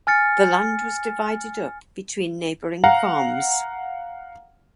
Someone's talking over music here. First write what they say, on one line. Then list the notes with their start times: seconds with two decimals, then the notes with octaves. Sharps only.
The land was divided up between neighbouring farms.
0.07 G#5 F6 A6 C#7
2.84 F5 F#5 A#5